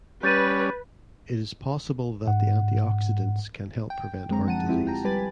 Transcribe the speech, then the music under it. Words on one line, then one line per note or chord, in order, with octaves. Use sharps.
It is possible that the antioxidants can help prevent heart disease.
G3 C#4 B4 G6 A6 D#7
G#2 F#5
G5
F#2 D3 G#3 C4 A#5
F3 F#5 A5 D#7
F3 G#3 C4 E4 G4
G5 A5 A#5
G3 G4 B4 G#5 B5 A6